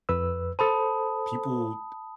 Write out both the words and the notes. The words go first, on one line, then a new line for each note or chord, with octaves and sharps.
people t
F2 B4 E6
A4 C5 A5 B5 D#6